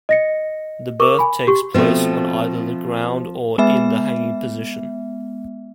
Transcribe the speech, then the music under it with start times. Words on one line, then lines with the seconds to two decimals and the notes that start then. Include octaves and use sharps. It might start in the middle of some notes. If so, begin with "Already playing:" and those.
The birth takes place on either the ground or in the hanging position.
0.09 D#5 A#6 C#7
1.00 A#4 C#6 D6
1.19 G#5 B5
1.47 G4 C#6
1.74 B2 F3 A3 C4
3.58 G#3 B3 E5